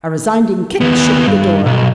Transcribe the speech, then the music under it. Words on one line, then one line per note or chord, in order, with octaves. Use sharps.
A resounding kick shook the door.
D#2 B3
G2
B1